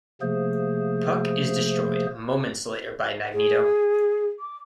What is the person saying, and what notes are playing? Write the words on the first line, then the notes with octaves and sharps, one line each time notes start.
Puck is destroyed moments later by Magneto.
C3 F3 A3 A#3 G#4 C5
G#4
D6